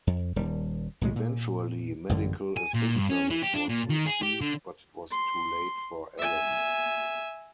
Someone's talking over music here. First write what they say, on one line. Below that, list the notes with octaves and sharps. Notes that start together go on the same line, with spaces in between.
Eventually medical assistance was received but it was too late for Allen.
F2
D#1 D#3 G3
B1 A2 C#3 G#3
A#2
A1 F#2 D3
G#5
A#2
G2
C#4
E3
G4
D4
A#2
D#3
G#4
G4
D3
C6
E5 G#5